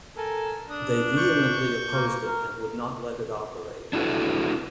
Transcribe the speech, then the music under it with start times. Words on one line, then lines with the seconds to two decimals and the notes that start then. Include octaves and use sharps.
They vehemently opposed it and would not let it operate.
0.17 A4 A#4 G#5
0.70 D4 D#6
1.17 C#6 G6
1.93 A#3
2.27 A#4
3.93 D4 E4 F#4 A4 B4